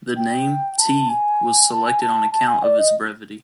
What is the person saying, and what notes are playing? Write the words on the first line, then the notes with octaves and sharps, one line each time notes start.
The name "Tea" was selected on account of its brevity.
G5
A5
G#5
A5
G#5
A5
A5
G#5
D5
D#5